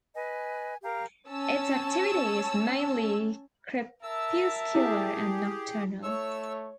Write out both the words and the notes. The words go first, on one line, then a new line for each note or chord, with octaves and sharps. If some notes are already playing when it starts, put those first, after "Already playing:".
Its activity is mainly crepuscular and nocturnal.
B4 D#5 G#5
G4 A#4 F5 A#5
C#4 A5 E6
A#4 E5 A5 E6
E4 G4 G#4
A3 C#5 E6